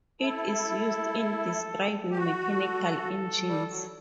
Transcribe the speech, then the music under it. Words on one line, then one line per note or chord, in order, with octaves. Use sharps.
It is used in describing mechanical engines.
E4 A4
G4
F#4
A4
G3
F#3